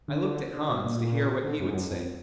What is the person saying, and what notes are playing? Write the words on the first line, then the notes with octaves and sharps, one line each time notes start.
I looked at Hans, to hear what he would say.
D3
D3
B2
A#2
D3
F#2
G#2
F#2
F2